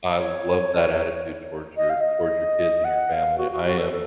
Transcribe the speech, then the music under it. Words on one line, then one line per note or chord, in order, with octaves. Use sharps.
I love that attitude towards your towards your kids and your family. I am
C#5
D#5
F5
D#5
F#5
F5
F#4
F#4
F#4
A4
A4